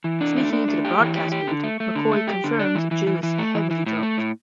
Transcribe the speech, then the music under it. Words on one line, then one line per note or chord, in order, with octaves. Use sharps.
Sneaking into the broadcast booth, McCoy confirms Gill is heavily drugged.
E3
D4
A3
D4
A3
G4
E3
G4
G4
D3
A3
A3
D3
A3
G4
D3
D4
E3
E3
E3
E3
A3
E3
E3
A2
A3
A2